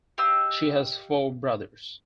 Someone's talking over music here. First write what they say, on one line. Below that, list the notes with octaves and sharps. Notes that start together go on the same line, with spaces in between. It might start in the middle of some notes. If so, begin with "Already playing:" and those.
She has four brothers.
G4 D#5 F5 E6